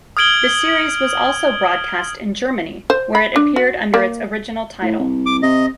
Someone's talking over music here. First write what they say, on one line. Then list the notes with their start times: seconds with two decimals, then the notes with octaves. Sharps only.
The series was also broadcast in Germany, where it appeared under its original title.
0.17 D#6 F6 G#6 D7 F#7 G7
2.90 C5
3.15 B5
3.36 D4
3.56 F#4
3.94 A#3
4.82 A2
4.99 C2
5.26 D6
5.43 C3 D#5